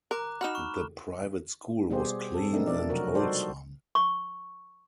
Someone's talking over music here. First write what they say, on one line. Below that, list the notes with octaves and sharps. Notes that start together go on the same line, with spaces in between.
The private school was clean and wholesome.
A#4 A#5 D6 F#6
D#4 F#4 B5 F6 E7
C#6
B2 G3 B3 G4 G#4 C5
C4 A4
A3 C4 D4 D#4 A4 A#4
B2 F3 D5
C3 F#3 F#4 A#4
G3 D#4 F#4 A4 C5 D5
C#6